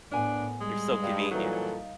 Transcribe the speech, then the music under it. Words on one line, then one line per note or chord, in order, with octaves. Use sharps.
they're so convenient,
A2 B3 D4 A#4 G#5
G3 G#3
G2
A#2 E3 F#3 D#4 F4 A4 A#4